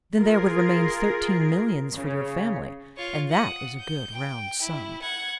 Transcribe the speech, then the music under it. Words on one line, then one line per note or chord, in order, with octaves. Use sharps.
"Then there would remain thirteen millions for your family, and that is a good round sum."
F4 G#4 A#4
C#3
F4 C#5
F#5 D#6
G6
G5
E4
F#5 G#6